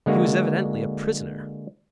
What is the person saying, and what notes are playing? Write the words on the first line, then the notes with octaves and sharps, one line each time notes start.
He was evidently a prisoner.
D3 G#3 A#3 F#4